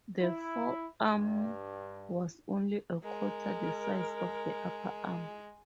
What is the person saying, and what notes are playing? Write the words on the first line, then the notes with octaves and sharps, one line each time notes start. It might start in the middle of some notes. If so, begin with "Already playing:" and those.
The forearm was only a quarter the size of the upper arm.
E4
G2
G#3 A#4